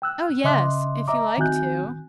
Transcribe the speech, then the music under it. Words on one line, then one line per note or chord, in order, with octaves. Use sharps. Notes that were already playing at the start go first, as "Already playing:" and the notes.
"Oh yes; if you like to."
G5 E6 F#6
C#3 D#5 E5 C6 D6 F#6
D#5 E5 A#5 D6
D#3 C4 F#4 G#5 F#6 G6